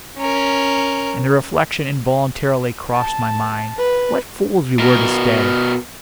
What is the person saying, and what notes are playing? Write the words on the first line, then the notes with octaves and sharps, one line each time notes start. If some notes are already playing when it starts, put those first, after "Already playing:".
And the reflection involuntarily crossed my mind--what fools we were to stay!
C#4 A#4
A5
B4
B2 A#4